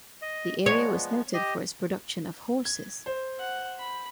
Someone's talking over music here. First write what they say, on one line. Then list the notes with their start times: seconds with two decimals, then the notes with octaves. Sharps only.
The area was noted for its production of horses.
0.22 D#5
0.66 F3 G#3 B3 C#5
1.34 G4 D#5
2.65 G#6
3.06 C5
3.38 F#5
3.78 B5